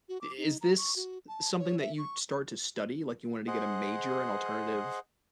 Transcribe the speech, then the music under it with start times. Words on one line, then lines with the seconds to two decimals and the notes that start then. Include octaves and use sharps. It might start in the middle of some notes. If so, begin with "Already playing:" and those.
i is this something that you'd start to study? Like, you wanted to get a major in alternative
0.09 F#4
0.21 D6
0.38 D#4
0.61 A#5
0.78 C#6
0.96 F#4
1.28 A5
1.59 C#5
1.80 E5
1.98 C#6
3.48 G#4 C5 D#5 F#5